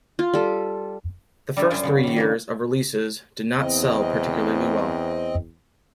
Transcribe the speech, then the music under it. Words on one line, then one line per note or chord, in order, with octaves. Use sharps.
The first three years of releases did not sell particularly well.
F4
G3 A4
G3 D4 A#4 B4 E5
F#2 F4 C5 G5 G#5
C#3 B3
D#3 G3
G2 C#3 A#3
E2 C4 D#5